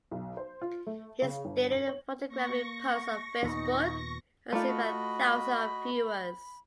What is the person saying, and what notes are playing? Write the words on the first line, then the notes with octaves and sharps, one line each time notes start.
His daily photographic posts on Facebook are seen by thousands of viewers.
B1
C5
F4
A3
C#3
G1
F#7
C#5
A#3 C#6 A#6
D#2 A#2 B3 D#4
A3 A#3 D#4 F4 D5 B5
F#4 D#5